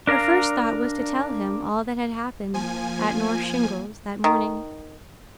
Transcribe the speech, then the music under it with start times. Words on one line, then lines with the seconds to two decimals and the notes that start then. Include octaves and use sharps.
Her first thought was to tell him all that had happened at North Shingles that morning.
0.07 D4 A#4 D5 F5 A#5
2.54 F3 A#3 G#5
4.24 D#3